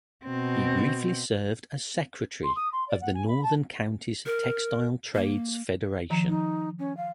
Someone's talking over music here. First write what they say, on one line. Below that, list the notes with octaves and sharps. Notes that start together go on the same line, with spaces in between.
He briefly served as secretary of the Northern Counties Textile Trades Federation.
B2 C4
C6
D#6
C6
D5
F#5
G#5
B5
A5
A#4
A#3
D#3 F3 A#5
D#4
C#4
F5